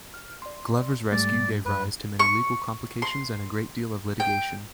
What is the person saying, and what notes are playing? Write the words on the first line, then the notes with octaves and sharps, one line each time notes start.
Glover's rescue gave rise to many legal complications and a great deal of litigation.
F6
D5 C6
G#2 G3 A3 D5
F#2 B4
C#6
C6
G5